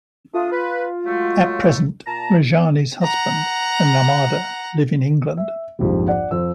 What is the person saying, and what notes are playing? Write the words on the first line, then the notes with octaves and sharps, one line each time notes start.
At present Rajani's husband and Narmada live in England.
A3 D4 F4 D#6
B4
F#3 G#3 A3
A#2 A5 A#5
F#5 A#5
E5
A#1 F2 G#2 G3
D5 F#5
F2 F3 E6